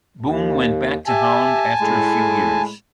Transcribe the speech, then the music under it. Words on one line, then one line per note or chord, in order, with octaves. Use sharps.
Boon went back to Holland after a few years.
D#2
G4 E5 G#5 A5
A2 G#3 B5